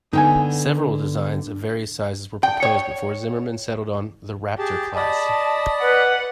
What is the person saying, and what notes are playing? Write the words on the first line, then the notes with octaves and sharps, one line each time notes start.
Several designs of various sizes were proposed before Zimmerman settled on the "Raptor"-class.
D3 B3 D#4 G5 G#5
G5
C#5
G4 G#4 A5
D5 D#5 A5 B5
B4 F#5